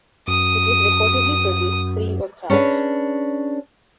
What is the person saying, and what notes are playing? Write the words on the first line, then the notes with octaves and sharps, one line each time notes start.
It was reportedly produced "free of charge".
F#2 D#6
C#4 D4 G#4 B4 C#5